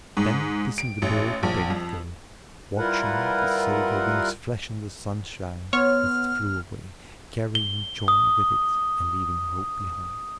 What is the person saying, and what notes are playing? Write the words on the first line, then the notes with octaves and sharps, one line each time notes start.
Then kissing the bird he bade it go, watching the silver wings flash in the sunshine as it flew away, carrying joy with it and leaving hope behind.
G#2
D7
A1
A#1
F2
G3 E4 F4 A#4 B4 F#5
B3 C#5 F6
G7
D#6